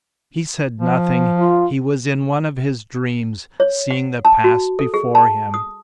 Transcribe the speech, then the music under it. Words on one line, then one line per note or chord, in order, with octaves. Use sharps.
He said nothing, he was in one of his dreams, seeing the past before him.
F3
F4
C#5
F#5
A5
F#4
A4
G#4
A5
D#6